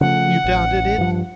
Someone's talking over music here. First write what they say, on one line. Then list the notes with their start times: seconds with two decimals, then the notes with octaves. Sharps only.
"You doubted it?"
0.01 C#3 F3 A3 F#5
0.44 A1
0.98 G2 F3